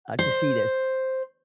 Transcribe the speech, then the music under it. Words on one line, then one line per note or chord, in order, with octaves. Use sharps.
uh, to see this.
C5